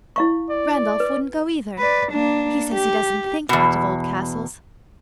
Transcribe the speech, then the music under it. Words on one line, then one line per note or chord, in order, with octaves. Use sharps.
Randolph wouldn't go either; he says he doesn't think much of old castles.
E4 F5 C#6
D5
B4
B4 D5
A#3 D4
G4
E2 B2